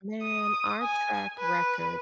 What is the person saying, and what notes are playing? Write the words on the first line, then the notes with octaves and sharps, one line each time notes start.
Man, our track record
D#6
G#5
B4